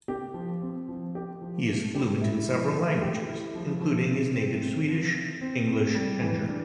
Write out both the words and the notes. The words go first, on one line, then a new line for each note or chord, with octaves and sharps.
He is fluent in several languages including his native Swedish, English and German.
G4
F3
C4
F3
G4
F3
A3
G4
E4
F3
A3
G4
E4
F3
F3
C3
C4
C3
F3
C3
C4
C3
G3
E3
D4